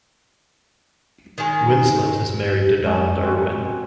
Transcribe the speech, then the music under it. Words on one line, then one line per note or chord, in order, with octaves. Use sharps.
Winslett is married to Donald Irwin.
D#3 G#3
G#3 C#4 D4 G#4
C4 C#4 F#4